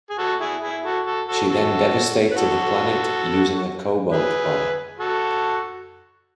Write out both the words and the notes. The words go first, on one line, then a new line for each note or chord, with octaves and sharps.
She then devastated the planet using a cobalt bomb.
G#4
F#4 A4
E4 G#4
E4 G#4
F#4 A4
F#4 A4
F#4 A4
F#4 A4
B4
F#4 A4
G#4 B4
F#4 A4